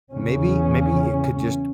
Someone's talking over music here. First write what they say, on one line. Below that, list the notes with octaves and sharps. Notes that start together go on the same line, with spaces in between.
maybe maybe it could just
E2 C#3 C#4